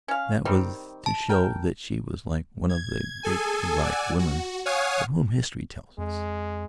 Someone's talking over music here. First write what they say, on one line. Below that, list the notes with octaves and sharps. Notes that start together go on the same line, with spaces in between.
That was to show that she was like one of the great erotic women of whom history tells us.
C#4 F5
D#3 G3 C4
A5
A#4 G5
G#6
G#4 A4 G#5
D5 F#5 G#5 E6
F#4
C#5 F5 F#5 G#5 D#6
F2 G#3